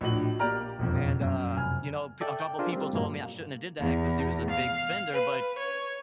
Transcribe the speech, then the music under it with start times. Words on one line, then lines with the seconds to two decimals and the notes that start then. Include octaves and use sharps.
And, uh, you know, pe a couple people told me I shouldn't have did that because he was a big spender. But,
0.01 A#1 A2 D4 F#4 D#5 F#7
0.39 A#3 G4 D5 G5 A#5 F6
0.79 E1 A#1 F2
1.21 F#2
1.56 F1 G#5 F6
2.21 A4 D5 E5 G5
2.40 G5
2.59 D4 F4 G#4 A#4 C5
2.73 G3 C4
2.93 G2 A#2 F#3 G#3 A#3
3.79 E2
4.50 F5
5.12 B4
5.58 C#5